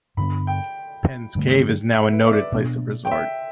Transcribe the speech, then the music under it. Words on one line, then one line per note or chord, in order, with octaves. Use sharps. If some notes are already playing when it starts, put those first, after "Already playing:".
Penns Cave is now a noted place of resort.
G2 D3 B3 D4 B5
G5
G2 D3 A3
E5
B4
E5
D5
B2 B3 D4
G5
E5